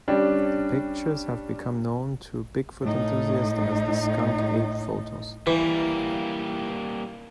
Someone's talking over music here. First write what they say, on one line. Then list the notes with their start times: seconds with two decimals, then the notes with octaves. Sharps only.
The pictures have become known to Bigfoot enthusiasts as the "skunk ape photos".
0.08 G3 C#4 D4
2.82 A2 D#4
5.47 E3 G3 A#3